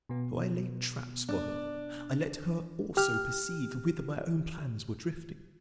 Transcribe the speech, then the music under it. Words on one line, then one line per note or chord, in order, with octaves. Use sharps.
So I laid traps for her; I let her also perceive whither my own plans were drifting.
B2 B3
D4
G4 F6